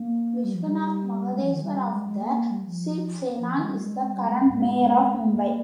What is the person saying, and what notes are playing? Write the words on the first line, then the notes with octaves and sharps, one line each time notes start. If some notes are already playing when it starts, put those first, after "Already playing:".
Vishwanath Mahadeshwar of the Shiv Sena is the current Mayor of Mumbai.
Already playing: A#3
G3
F3
G3
G#3
F3
D#3
G3
G#3
G#3
A#3
G3
F3
F3
D#3
G#3
G3
G#3
G#3
G3
G#3
G3
G#3
A#3